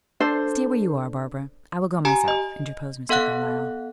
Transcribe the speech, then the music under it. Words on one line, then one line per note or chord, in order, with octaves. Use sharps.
"Stay where you are, Barbara; I will go myself," interposed Mr. Carlyle.
D4 A4 C5
G4 G#5 A#5 D7
D#5
B3 A4 F5 F#5 F#6